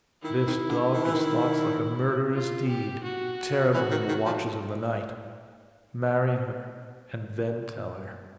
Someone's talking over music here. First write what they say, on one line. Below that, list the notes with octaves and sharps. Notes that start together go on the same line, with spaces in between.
This dogged his thoughts like a murderer's deed, terrible in the watches of the night. Marry her, and then tell her.
D#3 E4
D#3
D3
D#3
E3
D#3
F4
G4
F#4
E3 F#4
D#3
D#3
F3